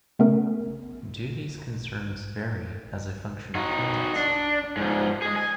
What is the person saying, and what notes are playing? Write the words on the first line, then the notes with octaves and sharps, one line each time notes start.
Do these concerns vary as a function of context?
C#3 A3 B3 C#4 A#4
D#4 F#4
D4
G#2 F3
G#4 D#5
G#5